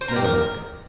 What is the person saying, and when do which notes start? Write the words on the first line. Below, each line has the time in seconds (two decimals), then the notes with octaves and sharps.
Never mind.
0.01 C5
0.08 A#4
0.16 G4
0.24 A#4